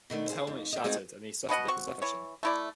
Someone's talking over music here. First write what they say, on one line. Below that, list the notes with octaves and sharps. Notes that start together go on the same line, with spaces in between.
His helmet shattered, and he suffered a concussion.
B2 D#3 A3 D4
G#4 C5
F2 G#2
D#5 G5
A3 B3 C4 D#4 F#4 G#4
B2 B4 D#5 F#5
C4 F#4 C#6
E3 C#5
A3 E4 D5